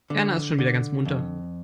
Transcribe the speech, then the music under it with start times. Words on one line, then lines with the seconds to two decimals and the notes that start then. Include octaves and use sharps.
Erna ist schon wieder ganz munter.
0.10 D3
0.59 D3
1.05 F2